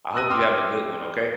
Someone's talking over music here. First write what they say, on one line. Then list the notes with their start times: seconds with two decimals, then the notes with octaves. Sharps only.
I hope you have a good one, okay?
0.14 D#6 E6 F#6 A#6 D#7
0.30 G5 C6 D6 E6 F6